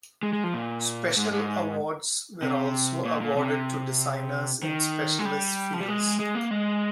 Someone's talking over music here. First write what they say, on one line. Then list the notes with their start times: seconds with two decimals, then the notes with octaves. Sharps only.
Special Awards were also awarded to designers in specialist fields.
0.23 G#3
0.33 G#3
0.44 F3
0.54 A#2
1.17 G#2
1.32 G#2
2.43 C3
3.05 A#2
3.21 A#2
3.36 C3
4.63 D#3
5.19 G#3
5.25 G3
5.74 F3
5.81 G3
5.88 G#3
6.19 G#3
6.35 A#3
6.51 G#3